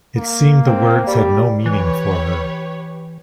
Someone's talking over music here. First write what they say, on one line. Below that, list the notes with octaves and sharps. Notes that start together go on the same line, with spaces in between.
It seemed the words had no meaning for her.
A#3
C4
G3
E3 G4 B4 C#5